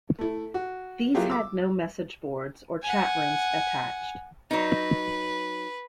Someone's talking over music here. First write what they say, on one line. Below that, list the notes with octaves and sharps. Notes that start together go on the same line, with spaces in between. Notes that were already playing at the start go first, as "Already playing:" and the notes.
These had no message boards or chat rooms attached.
A3 E4
F#4
F#3 A#3 E4 F4 G4 G#4
D6 E6
F#5 G#5
F#3 D#4 B4